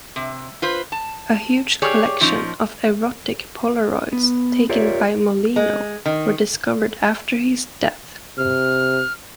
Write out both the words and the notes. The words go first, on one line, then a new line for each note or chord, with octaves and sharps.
A huge collection of erotic polaroids taken by Mollino were discovered after his death.
C3
F4 B4 C5
A5
G4 G#4 C#5 D5
A#2 F3 C#4 D#4
B3
F4 G4 A#4 C#5 D5 E5
G#3
D#3
C3 F6